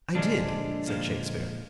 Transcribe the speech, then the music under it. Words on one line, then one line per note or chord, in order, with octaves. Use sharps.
"I did," said Shakespeare.
A#2 D3 F3 G#3 D4
A#2 F3 G#3